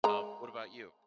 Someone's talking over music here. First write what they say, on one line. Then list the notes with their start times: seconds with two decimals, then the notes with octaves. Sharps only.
Um, what about you?
0.04 G#3 A#5